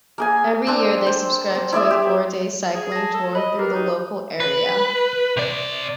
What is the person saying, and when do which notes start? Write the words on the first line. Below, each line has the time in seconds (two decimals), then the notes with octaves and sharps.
Every year they subscribe to a four-day cycling tour through the local area.
0.18 A#3 G#4 G#5
0.67 C4 D4
1.06 C5
1.55 C4
1.73 E4 D5 E5 D#6
1.90 G4
2.74 G#4
2.92 A5 A#6
3.14 A4
3.35 D#5 B5
3.59 G4 A#4 B4
3.74 D#4
4.40 B4
5.37 C3 D5